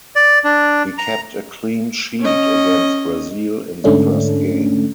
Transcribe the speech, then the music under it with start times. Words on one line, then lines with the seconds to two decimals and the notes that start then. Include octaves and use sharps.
He kept a clean sheet against Brazil in the first game.
0.16 D5
0.44 D4
0.98 A#5
2.20 C#4 D#5
3.84 G#2 D3 A3 C#4 D4